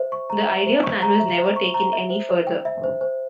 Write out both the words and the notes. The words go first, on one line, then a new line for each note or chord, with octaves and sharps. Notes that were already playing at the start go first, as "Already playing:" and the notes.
The idea plan was never taken any further.
Already playing: C5 E5
C#6
A#5
E5
C5
C#6
A#5
E5
C5
C#6
A#5
E5
C5
C5
G5
E5
C5
C5